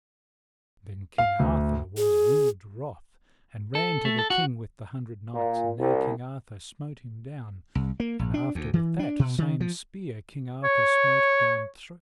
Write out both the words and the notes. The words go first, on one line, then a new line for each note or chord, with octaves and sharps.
And then King Arthur was wood wroth, and ran to the King with the Hundred Knights, and there King Arthur smote him down; and after with that same spear King Arthur smote down three other knights.
F5
D2
G#4
A4
A3
A4
F#4
A#2
C2
C2
A#3
A#1
D4
D2
E3
D4
B2
D#3
F3
C#5